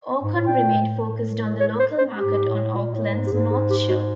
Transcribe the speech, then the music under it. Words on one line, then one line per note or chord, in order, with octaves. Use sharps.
Orcon remained focused on the local market on Auckland's North Shore.
G#2
A2
A#2 G5
A2
C#5
C5
C5
G#2 G4
A2
A#2
A2
G#2
G4
G#2 G#4
G#4
G4
F#4